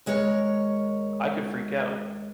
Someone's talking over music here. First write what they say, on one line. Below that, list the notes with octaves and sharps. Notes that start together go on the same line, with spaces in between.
I could freak out!
D#2 G#3 A#4 C#5